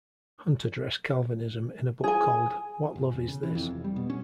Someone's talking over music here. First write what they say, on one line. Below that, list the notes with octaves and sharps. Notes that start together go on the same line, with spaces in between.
Hunt addressed Calvinism in a book called What Love is This?
G#4 G#5
G1
E1
C#3
E3
F2
F1
G3
B2
C#4